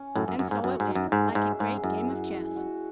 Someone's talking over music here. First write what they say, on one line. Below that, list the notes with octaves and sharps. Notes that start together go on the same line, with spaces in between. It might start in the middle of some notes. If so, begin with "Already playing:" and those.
And so it went-like a great game of chess.
Already playing: C#4 C#5
F#2 A2 A4
F#2
F#2 C#5
G#2
F#2 F#4
G#2
D#4
F#2
G#2 G#4
G#2 E5
G#2 G#4
F#2 E4
F#4
G#3
F#4